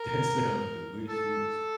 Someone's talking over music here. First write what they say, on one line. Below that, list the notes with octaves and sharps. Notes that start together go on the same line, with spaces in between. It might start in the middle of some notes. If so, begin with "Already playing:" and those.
that sounds delicious.
Already playing: A#4
A4